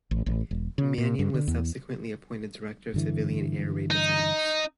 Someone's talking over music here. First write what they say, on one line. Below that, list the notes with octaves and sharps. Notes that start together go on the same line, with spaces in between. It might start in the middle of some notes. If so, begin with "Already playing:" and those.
Manion was subsequently appointed director of Civilian Air Raid Defence.
A1
A1
E1
C#3
A#2
G2
D3
E2
G2 D3 E3
D#4